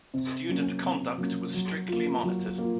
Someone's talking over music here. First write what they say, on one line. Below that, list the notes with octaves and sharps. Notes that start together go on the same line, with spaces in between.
Student conduct was strictly monitored.
C3
F#3 A#3 C#4
C3
F#3 A#3 C#4
F#3
A#3 F4
F#3
A#3 F4